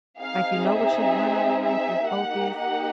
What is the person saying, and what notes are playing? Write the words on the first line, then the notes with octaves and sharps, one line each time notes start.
Like, you know what you want outta life, you're focused,
C4 D#4 G#4 F5
E5
E5
A#3 D#4 G4 F#5
F#5